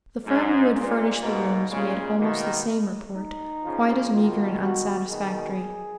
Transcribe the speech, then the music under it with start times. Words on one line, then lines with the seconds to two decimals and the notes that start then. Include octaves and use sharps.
The firm who had furnished the rooms made almost the same report, quite as meagre and unsatisfactory.
0.25 G#2 F#3
0.74 A#2 G#3
1.22 G#2 B2 A#3
1.70 A#2 C#3 G#3
2.18 B2 D#3 A#3
3.16 D#4
3.64 C#3 F3
4.12 B2 D#3 F4
4.60 F#4
5.09 B2 D#3 G#4